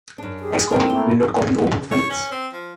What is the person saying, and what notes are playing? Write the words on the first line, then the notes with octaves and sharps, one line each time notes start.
Xcopy will not copy open files.
F#2 D4
G4 G#4
G3 C4 D4 A#4
A3 A#3 E4 G4
C#5
C#4
C4
F3